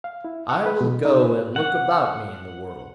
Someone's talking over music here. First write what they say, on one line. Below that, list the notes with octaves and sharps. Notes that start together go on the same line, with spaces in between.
I will go and look about me in the world.'
F5
E4
F#5
B4
B2
D#4
B4
F#5